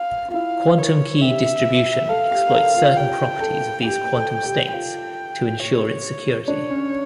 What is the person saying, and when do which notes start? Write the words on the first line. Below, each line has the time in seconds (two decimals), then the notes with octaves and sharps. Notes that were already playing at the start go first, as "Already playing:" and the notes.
Quantum key distribution exploits certain properties of these quantum states to ensure its security.
Already playing: F5
0.28 F4
0.34 E4 F5
0.78 A#4 C#5
1.21 G4 E5
2.09 A4 F5
2.31 G4
2.48 A#4
2.54 A4
2.75 F4
2.97 G4 G5
3.40 A4
3.85 G4 G5
4.14 A4
4.43 G4
4.72 F4 G5
5.60 C#5
6.48 D4 C#5
6.70 C#4